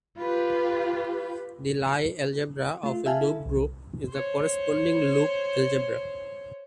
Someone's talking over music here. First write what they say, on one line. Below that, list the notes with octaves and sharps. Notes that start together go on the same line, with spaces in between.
The Lie algebra of a loop group is the corresponding loop algebra.
F4 G4 B4
A3 F4
E5 F5 G#5 A5
E4 A4
C2
C5 C#5